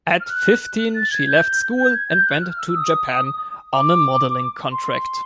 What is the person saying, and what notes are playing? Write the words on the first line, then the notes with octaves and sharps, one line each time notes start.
At fifteen, she left school and went to Japan on a modeling contract.
F6
F#6
F#6
A6
G#6
G6
G6
G#6
G6
F#6
F6
E6
D#6
D6
C6